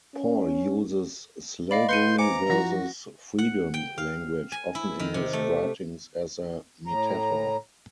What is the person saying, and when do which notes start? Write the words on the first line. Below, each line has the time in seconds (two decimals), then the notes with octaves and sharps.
Paul uses slavery versus freedom language often in his writings as a metaphor.
0.15 C#4
1.71 D5 D#5 F5 B5
1.89 B4 C6 G6 C#7 D#7
2.18 C5 G#5 A#5 D6 C#7
2.49 F3 E4 F#4 A#6
3.39 F#5
3.74 G5
3.98 F5
4.52 G#5
4.75 E4
4.99 D#3
5.14 C3
5.33 A3
6.87 A2 A#5